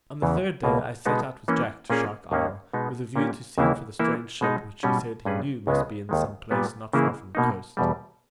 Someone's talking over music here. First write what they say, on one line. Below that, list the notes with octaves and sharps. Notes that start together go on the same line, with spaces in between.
On the third day I set out with Jack to Shark Isle, with a view to seek for the strange ship which he said he knew must be in some place not far from the coast.
E2 C#3 E3
C#2 B2 A#3
B2 G#3 B3 D#4
E3 A#3 C#4
A#2 A#3 C#4 G#4
D#2 D#3 A#3 C#4
B2 G#3 B3 D#4
A#2 A#3 C#4 G4
D#2 C#3 E3 A#3 E4
E3 A#3 E4
B2 G#3 D#4
B2 G3 C#4
G2 G3 C#4 G#4 B4
C#2 C#3 G#3 B3
D#2 D#3 G#3
A#2 G3 B3
C#3 E3 A#3 E4 G#4
B2 A#3 D#4
E2 B2 G3